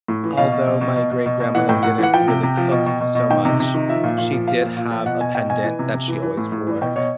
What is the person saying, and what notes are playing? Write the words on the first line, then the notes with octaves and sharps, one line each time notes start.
Although my great grandmother didn't really cook so much, she did have a pendant that she always wore,
A2
E3
B2 F5
B2
B2
B2
B2
B2
B2
B2
E3 F#5
A2 G5
A2 F#5
E3 F#5
F3 G5
C3
C3
F3
B2
B2
B2
B2
D#3 G5
C3
C3
D#3
F3 E5
A#2
A#2 F5
F3
F3 F5
A#2
A#2
F3
B2 F#5
B2 G#5
B2 G5
B2 G#5
E3
C3
C3
E3
E3
A2
A2
E3
B2 G5
B2 C#5